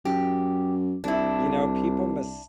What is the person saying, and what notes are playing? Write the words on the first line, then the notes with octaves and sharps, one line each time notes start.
You know, people mis
F#2 G4
C2 D4 E4